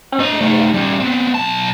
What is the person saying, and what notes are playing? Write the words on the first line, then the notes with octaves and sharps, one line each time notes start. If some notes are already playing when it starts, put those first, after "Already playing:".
Okay, yeah.
D4 D#5
A3 D#4
G3 C#4
B3 C4
B1 A5